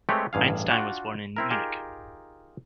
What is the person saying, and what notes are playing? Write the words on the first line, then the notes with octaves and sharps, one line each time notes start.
Einstein was born in Munich.
G#3 A3 C4 G4 B4 C#5
A1 G2 G#4 F5
D4 F4 F#4 G5
C4 E4 A#4
D#4 F4 G4 G#4 A#4